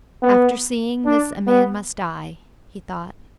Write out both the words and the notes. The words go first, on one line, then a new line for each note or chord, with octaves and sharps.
After seeing this a man must die, he thought.
B3
D4
B3